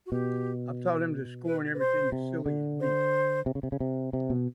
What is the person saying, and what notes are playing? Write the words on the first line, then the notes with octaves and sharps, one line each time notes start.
I’ve taught him to scorn everything as silly and weak.
F#4
B2 G4
B4
B4
C5
C3
D3
C5
C3
C#3
C3
C#3
C3
C3
B2